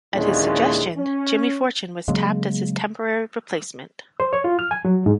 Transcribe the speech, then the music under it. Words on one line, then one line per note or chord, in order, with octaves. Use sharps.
At his suggestion, Jimmy Fortune was tapped as his temporary replacement.
D#2 A#2 D3 E3 G#3 C#4
C#4
C#3 F#3 G#3 A#3
C5
C#5
F4
F6
G#5
F#3
G#2